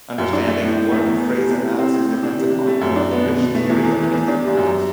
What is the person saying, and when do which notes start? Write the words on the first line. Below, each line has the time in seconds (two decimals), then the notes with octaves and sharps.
Understanding verb phrase analysis depends upon knowing which theory obtains in context.
0.18 F#2
0.33 D4
0.47 A3
0.62 A2
0.77 A2
0.91 A3
1.06 E2
1.21 B3
1.36 G3
1.50 C3
1.65 E4
1.79 C4
1.94 A2
2.09 A2
2.23 D4
2.38 C3
2.52 C3
2.67 A3
2.81 F#2
2.96 D4
3.11 B3
3.25 B2
3.40 B2
3.55 A3
3.70 E2
3.84 E2
3.98 E3
4.13 E2
4.28 D4
4.42 G3
4.57 F#2